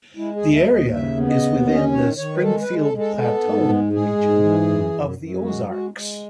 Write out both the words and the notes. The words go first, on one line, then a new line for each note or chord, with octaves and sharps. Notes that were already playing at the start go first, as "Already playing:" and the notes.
The area is within the Springfield Plateau region of the Ozarks.
G#3 E4
G#4
D#2
E5
D#2
D#5
C#3 E5
B3
D#5
D#2
C#4 D#5
D#3 C#5
D#3 C#5
B4
G#3 A4
B4
G#3
A4
G#3
A4
B3 A4
G#2
G#3
G#3 G#4
G#2
E3
F#2
F#2
F#2
G#3 F#4
G#3 F#4
G#3